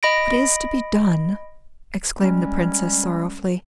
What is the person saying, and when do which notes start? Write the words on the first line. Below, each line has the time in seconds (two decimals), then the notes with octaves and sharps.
"What is to be done?" exclaimed the Princess, sorrowfully.
0.03 D#5 B5 A#6 D7
2.21 G3 G#3 C#4